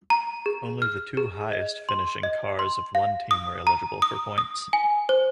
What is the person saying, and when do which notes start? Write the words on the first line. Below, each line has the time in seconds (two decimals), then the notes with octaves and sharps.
Only the two highest finishing cars of one team were eligible for points.
0.10 A#5
0.46 G#4
0.82 F6
1.17 G#4
1.53 D#5
1.89 C6
2.23 D#5
2.59 C6
2.95 F5
3.31 D#6
3.67 A#5
4.02 D#6
4.38 D#6
4.73 G#5
5.09 C5